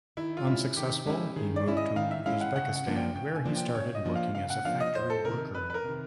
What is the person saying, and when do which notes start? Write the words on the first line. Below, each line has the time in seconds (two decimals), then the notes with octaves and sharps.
Unsuccessful, he moved to Uzbekistan, where he started working as a factory worker.
0.17 D#3 E4
0.37 F4
0.47 G#3 C#4 E4
0.77 D#3 G4
1.06 G#3 C#4 E4 G4
1.36 D#3 G#4
1.56 D5
1.66 G#3 C#4 E4
1.77 D#5
1.96 D#3 F5
2.11 E5
2.26 G#3 C#4 E4 F5
2.41 F#5
2.56 C#3 F#5
2.76 F#5
2.86 F3 A#3 D4
2.96 G5
3.15 C#3 G5
3.36 G#5
3.45 F3 A#3 D4
3.56 G5
3.75 C#3 C#5
3.95 D#5
4.05 F3 A#3 D4
4.16 F5
4.35 C#3 F5
4.50 F#5
4.65 F3 A#3 D4 F5
4.80 D#5
4.94 F2 C5
5.10 A4
5.24 C3 D#3 A#4
5.54 F2 B4
5.70 B4
5.74 A#4
5.84 C3 D#3